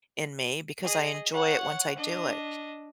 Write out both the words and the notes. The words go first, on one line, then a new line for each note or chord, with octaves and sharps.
in me, because I enjoy it once I do it.
G#4 D#5
C#5 F#5
D4 D#5